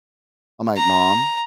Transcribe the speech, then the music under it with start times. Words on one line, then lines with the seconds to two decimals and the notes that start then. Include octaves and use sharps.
I'm, like, "Mom,
0.77 A#5